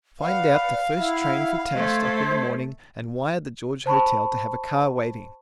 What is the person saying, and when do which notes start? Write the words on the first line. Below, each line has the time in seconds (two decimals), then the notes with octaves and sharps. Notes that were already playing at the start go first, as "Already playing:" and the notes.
"Find out the first train for Tavistock in the morning and wire the George Hotel to have a car waiting."
0.20 B4 D5 F5 F#5
0.97 E4 F#5 B5
1.75 A3 C5 G#6
3.86 C5 A5 B5 C#6